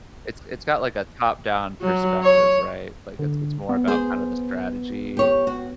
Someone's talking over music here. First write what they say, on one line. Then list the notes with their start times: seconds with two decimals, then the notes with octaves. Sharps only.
It's it's got, like, a top-down perspective, right? Like, it's it's more about kind of the strategy
1.81 F#3
2.23 C#5
3.19 D3
3.69 B3
3.88 G#4 C5
5.17 G4 C#5
5.47 F#4